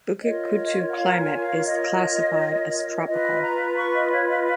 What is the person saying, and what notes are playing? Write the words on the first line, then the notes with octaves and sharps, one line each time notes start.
Bukit Kutu climate is classified as tropical.
F4 A#4 C#5 D#5
F#5
F5
A#5
G#5
F5
D#5
F4 B4 D#5
A#5
C#6
D#5
C#5
D#5